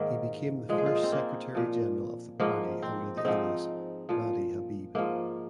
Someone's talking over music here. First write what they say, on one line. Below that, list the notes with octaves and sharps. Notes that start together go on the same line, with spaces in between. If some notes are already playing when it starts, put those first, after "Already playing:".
He became the first secretary general of the party under the alias Mahdi Habib.
Already playing: G#2 D#3 A#3
A#2 F3 G#3
G#4
F4
D#4
C4
A#3
A#2 F3
G#2 F3 A#3
C4
D#4
G#2 F3 C4
A#2 F3
G#2 F3 A#3